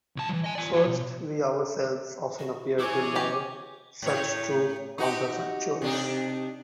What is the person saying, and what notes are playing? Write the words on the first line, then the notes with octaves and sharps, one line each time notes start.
First, we ourselves often appear to know such true counterfactuals.
C2 A5
E3 F#3
D#5 G#5
D5 G#5
F3 F#4
B2
F#4
E4 G#4 C#5 G#5 D6
C#4 G4
A2 C#5
D#4 F#4 G4
C3 D4 D#4